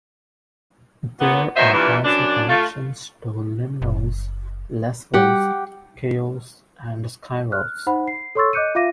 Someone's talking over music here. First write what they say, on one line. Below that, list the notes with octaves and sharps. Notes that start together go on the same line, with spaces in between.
There are also connections to Limnos, Lesvos, Chios and Skyros.
A#2 B3
B2 D#3 C5 C#5 D#5 E5
G2 A#2 E3
F#2 D4
A3 F4
F#1
G3 G4 F#5
F6 F#6
D#4 C5 F#5 B5
C7
A4 C#5 C6 C#6 E6 A6
D#5 D6 F#6 G6 C#7 D#7
F4 E5 F5 D6 A#6 D#7